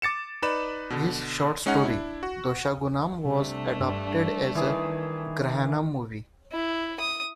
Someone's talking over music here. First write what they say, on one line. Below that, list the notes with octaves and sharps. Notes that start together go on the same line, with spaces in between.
His Short story Doshagunam was adapted as a Grahanam movie.
D6 A6 C#7 E7
D#4 B4 D5 B5 E7
B2 D3
G#3 C#4 D#4 F#5
D4 E4
F#4
C3 G3 A3 D4
G2
D#3 E3 G#4
E4
D#6